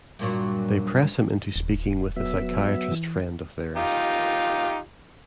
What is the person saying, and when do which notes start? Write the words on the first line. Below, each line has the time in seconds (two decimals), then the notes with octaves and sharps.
They press him into speaking with a psychiatrist friend of theirs.
0.19 G2 A#2 F#3
1.56 D#1
2.16 F#3 B3 E5
2.92 E3
3.77 D#4 F4 G4